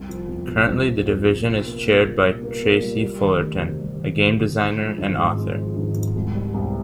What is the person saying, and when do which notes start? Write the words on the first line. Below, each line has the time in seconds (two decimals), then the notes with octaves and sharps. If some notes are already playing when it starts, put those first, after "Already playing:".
Currently, the division is chaired by Tracy Fullerton, a game designer and author.
Already playing: C2
0.09 F3
0.28 C2
0.47 C3
0.68 C2
0.87 F3
1.07 C2
1.27 C3
1.46 A#2
1.66 A#3
1.85 A#2
2.05 G3
2.23 A#2
2.43 A#3
2.63 A#2
2.82 G3
3.02 G3
3.21 D#3
3.42 D2
3.61 C3
3.81 G3
4.00 D#3
4.20 D2
4.39 C3
4.58 G#3
4.78 F3
4.98 G#1
5.17 G#2
5.36 G#3
5.56 F3
5.77 G#1
5.96 G#2
6.16 C2
6.35 G3
6.54 C2